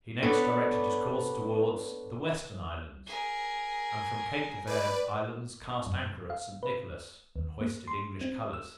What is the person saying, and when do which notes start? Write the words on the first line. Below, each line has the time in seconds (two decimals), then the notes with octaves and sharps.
He next directed his course towards the western islands, and from Cape de Verd islands cast anchor at St. Nicholas, and hoisted English colors.
0.23 B3 D4 A4 B4 C#5 D5
3.06 G#4 A#4
4.67 B4 D5
5.86 F#2
6.30 F5
6.63 B4
7.36 D#2
7.61 A#3
7.88 C6
8.21 C4
8.53 E6